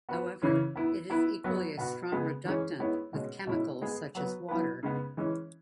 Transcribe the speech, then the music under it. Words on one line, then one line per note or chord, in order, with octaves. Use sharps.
However, it is equally a strong reductant with chemicals such as water.
B3 F#4 B4
C#3 E3 C#4 E4
B3 E4 B4
B3 E4 B4
F#3 B3 F#4 B4
B2 B3 F#4
C#3 G#3 B3 G#4
E3 G#3 C#4 G#4
G#3 B3 E4 C#5
B2 G#3 C#4
B2 G#3 C#4 E4
G#3 B3 G#4
F#3 B3 F#4 B4
F#3 B3 E4 B4
C#3 G#3 B3
E3 G#3 C#4